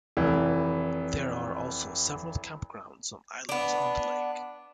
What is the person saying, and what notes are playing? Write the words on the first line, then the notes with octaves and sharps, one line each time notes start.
There are also several campgrounds on islands on the lake.
F1 E3
B3 D4